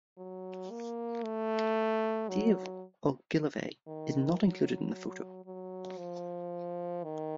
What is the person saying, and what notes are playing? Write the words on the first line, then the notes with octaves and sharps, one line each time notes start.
Dave Ogilvie is not included in the photo.
F#3
A#3
A3
F#3
D#3
F#3
F#3
F3
D#3